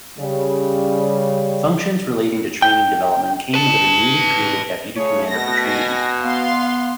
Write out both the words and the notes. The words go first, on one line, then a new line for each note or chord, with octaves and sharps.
Functions relating to training development came under the newly created Deputy Commander for Training.
C#3 G3
G5
B4 A5
C#3 A3 G#4 C#5
B2 A#6
G#5 A#6
B3 F5 C6